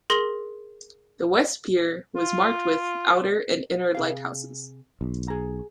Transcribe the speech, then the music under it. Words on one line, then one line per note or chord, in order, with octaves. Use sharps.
The west pier was marked with outer and inner lighthouses.
G#4 A#4 C6 A#6 F#7
F4
C3 G#4 F5
B1
G#4 A#5